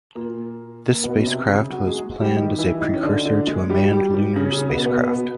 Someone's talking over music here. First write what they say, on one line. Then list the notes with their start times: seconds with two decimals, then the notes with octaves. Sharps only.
This spacecraft was planned as a precursor to a manned lunar spacecraft.
0.15 A#2 A#3
0.92 A#3
1.04 B2 B3
1.20 C#4
1.26 C3 C4
1.48 C#3 C#4
1.70 F#3 F#4
1.87 G#3 G#4
2.21 G3 G4
2.37 D#3 D#4
2.58 E3 E4
2.81 D#3 D#4
2.94 C#4
3.03 D3 D4
3.25 D3 D4
3.47 G#3 G#4
3.70 G3 G4
3.92 G3 G4
4.14 G3 G4
4.36 C#3 C#4
4.52 C#3 C#4
4.69 B2 B3
4.85 B2 B3
5.02 B2 B3